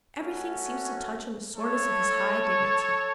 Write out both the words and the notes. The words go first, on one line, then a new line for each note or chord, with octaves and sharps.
Everything seems to touch on the soreness of his high dignity.
A3 C#4 F#4
A3 E4 A4 C#5